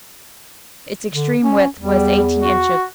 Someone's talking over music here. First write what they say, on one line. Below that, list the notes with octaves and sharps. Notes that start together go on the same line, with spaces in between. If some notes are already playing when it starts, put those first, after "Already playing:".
Its extreme width was eighteen inches.
D3
C#4
E2 G3
F#4